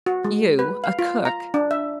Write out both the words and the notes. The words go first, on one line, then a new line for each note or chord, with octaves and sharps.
'You a cook!
F#4
G#3
B4
F5
F4
A#5
D4
E5